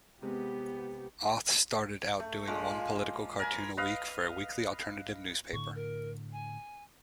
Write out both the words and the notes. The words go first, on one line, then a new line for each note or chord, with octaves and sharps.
Auth started out doing one political cartoon a week for a weekly alternative newspaper.
C3 G#3 B3 G4
A3
A#2 F3 G#3
A#4 G#5 B5
B4 D#5 F5
A2 D3 C#6
A#4
G#5